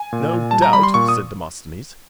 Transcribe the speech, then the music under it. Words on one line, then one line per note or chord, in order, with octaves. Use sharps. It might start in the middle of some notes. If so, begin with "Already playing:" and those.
"No doubt," said Demosthenes.
Already playing: G#5
A#2
A#2
G3 A5
A#5
G3 B5
C6
A#2 C#6
D#6